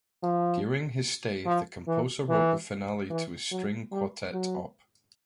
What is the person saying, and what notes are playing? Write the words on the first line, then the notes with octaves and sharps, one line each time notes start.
During his stay the composer wrote the finale to his String Quartet Op.
F3
F3
E3
E3
E3
F#3
G3
F#3